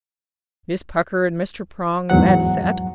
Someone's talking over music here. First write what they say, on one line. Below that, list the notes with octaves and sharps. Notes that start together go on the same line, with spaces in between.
"Miss Pucker, and Mr. Prong, and that set."
E2 G#2 F#3 F#5